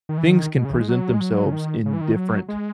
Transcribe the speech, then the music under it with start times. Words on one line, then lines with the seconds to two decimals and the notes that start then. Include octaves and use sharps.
things can present themselves in different
0.09 D#3
0.18 E3
0.27 D#3
0.57 B2
0.65 C#3
0.73 E3
0.81 G#3
0.89 F#3
1.14 G#3
1.20 F#3
1.46 C#3
1.52 D#3
1.86 C#3
1.93 E3
2.01 D#3
2.16 F#3
2.48 G#3